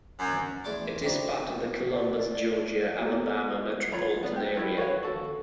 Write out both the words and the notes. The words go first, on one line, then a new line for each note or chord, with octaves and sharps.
It is part of the Columbus, Georgia-Alabama Metropolitan Area.
F#2
E2 A3 G#4 D5 C6 D6
C4 D#4 E4 F#4 G4 D5
D5
A#3 B3 F#4 G4 A4
F4 C#5 A#5 B5
B3 D4
G4
E4 F4 A4
F#4 B4 C#5 F5
F#4 A4